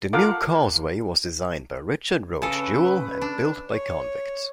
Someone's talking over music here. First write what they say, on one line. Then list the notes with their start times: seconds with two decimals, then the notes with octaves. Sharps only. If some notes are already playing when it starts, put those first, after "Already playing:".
The new Causeway was designed by Richard Roach Jewell and built by convicts.
0.13 F4 A4 A#4 F5 F#5 D6
2.42 C#3 A4 B4
3.21 D4
3.70 C#5